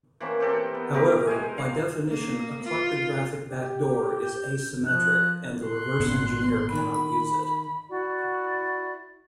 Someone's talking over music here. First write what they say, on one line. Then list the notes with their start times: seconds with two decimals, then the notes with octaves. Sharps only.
However, by definition a kleptographic backdoor is asymmetric and the reverse-engineer cannot use it.
0.20 E3 A#3 C4 C#4
0.40 C4 G4 A4 A#4
0.75 B3
0.94 A3 C4 G4 A#4
1.27 G#3 C5 G#5
1.58 F5
2.08 A#3
2.64 F4
3.45 G4
4.23 G6
4.85 F3 F#6
5.66 C6 F#6
6.00 G#1 A#2 B3
6.72 D#3 B5
7.88 E4 F#4 D5